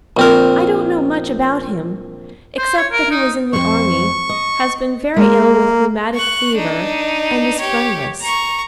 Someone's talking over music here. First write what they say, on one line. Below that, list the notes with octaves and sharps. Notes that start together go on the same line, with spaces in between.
I don't know much about him, except that he was in the army, has been very ill with rheumatic fever, and is friendless.
A#1 C4 A#4
C5
C#5
A#4
D#4
F2 C4 C#6
D#5
G#3 A#3
C#6 F#6
D4 D#4
G4 C#5
A#5 C#6